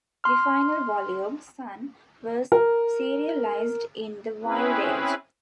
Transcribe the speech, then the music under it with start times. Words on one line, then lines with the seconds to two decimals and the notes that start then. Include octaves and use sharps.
The final volume, "Sun", was serialized in "The Wild Age".
0.24 C6 F6
2.52 A#4
4.43 C4 C#4 E4 G#4 B4